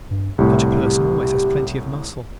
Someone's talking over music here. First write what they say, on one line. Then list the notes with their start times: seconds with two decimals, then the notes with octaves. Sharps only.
Such a person always has plenty of muscle.
0.11 G2
0.38 C2 A2 G4